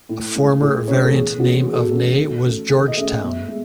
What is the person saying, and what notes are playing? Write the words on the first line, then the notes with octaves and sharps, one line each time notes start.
A former variant name of Ney was Georgetown.
A2
G#3 C#4 G#4
A2 G#4
G#3 C#4 C#5
B4
A4
E2 G#4
B2 A3 C#4 F#4
E2 G#4
A4
G#4
B2 A3 C#4 A4
D#3
A3 C#4
D#3 G#4
D#5
A3 C#4 E5
B2
G#3